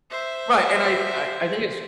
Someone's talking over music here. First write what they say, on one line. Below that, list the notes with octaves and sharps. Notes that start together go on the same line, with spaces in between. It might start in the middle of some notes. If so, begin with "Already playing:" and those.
Right, and I I I think it's
C5 E5